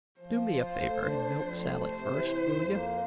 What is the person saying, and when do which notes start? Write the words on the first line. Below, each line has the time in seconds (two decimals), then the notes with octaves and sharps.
Do me a favor and milk Sally first, will you?
0.19 F3 C5
0.47 F4
0.74 A3
1.03 D4
1.31 F2
1.58 A3
1.86 C3 C5
2.14 E3
2.42 F2
2.69 A#3